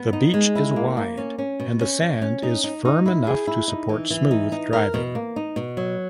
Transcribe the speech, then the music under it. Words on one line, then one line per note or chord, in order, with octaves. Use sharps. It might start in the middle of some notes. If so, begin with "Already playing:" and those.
The beach is wide and the sand is firm enough to support smooth driving.
Already playing: B3
D#4
G#3
E4
A#3
A#3
C#4
C#4
B2
C#4
C#4
C#4
D#4
D#4
D#4
E4
G#4
E4
D#4
E3
E3
D#4
D#4
A#4
B2
A#3
D#4
B2
F#3